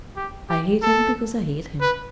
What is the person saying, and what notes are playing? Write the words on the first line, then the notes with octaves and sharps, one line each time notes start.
I hate him because I hate him.
G4
G4
A4
B4